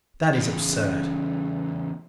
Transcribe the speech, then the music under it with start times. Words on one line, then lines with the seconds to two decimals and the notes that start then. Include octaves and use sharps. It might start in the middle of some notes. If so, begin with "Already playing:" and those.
"That is absurd."
0.35 E2 C#3